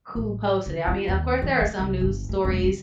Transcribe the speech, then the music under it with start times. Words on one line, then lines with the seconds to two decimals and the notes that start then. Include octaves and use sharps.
who posted it. I mean, of course, there are some news stories,
0.15 A1
0.66 D3
0.87 F4
1.08 D#2
1.42 E3
1.61 A3
1.79 C2
2.01 G1
2.29 A3
2.45 E1
2.64 G3